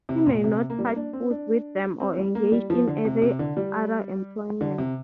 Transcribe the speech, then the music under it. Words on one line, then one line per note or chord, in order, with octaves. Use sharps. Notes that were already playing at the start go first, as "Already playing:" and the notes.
He may not touch food with them or engage in any other employment.
C3
A#2
C3
A#3
G3
A#3
D4
C4
D4
C4
G3
A#3
G3
F3
D3
C3
C3
D3
G3
D3
C3